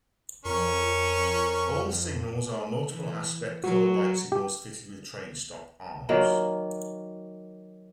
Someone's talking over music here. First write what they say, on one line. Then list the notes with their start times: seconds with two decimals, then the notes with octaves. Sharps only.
All signals are multiple aspect colour light signals fitted with train stop arms.
0.45 F2 C#4 A#4 C#6
2.90 E3
3.64 F#3 F#4
4.32 G4
6.09 D#3 F#3 A#3